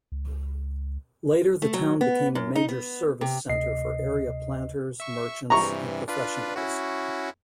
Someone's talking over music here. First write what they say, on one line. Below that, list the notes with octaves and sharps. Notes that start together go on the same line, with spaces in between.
Later, the town became a major service center for area planters, merchants and professionals.
C#2
A3
F#3
B3
F#2
D#4
B3
C3
D2 C3 D#5 C7
E5 C#6
G2 C3 E3 A#5 C#6
D4 F4 B4
C#4 E4 F#4